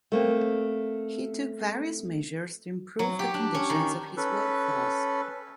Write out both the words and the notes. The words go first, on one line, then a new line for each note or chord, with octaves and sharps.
He took various measures to improve the conditions of his work force.
A3 A#3 C4
F#3
G4
D4
C#4
D#3
C#4 A4 B4